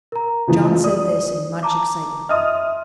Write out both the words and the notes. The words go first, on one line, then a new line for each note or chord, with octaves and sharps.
John said this in much excitement.
A#4 A#5
C#3 E3 F3
D5 D#6
A5 A#5 D6
D#5 E5 C6 D#6 F6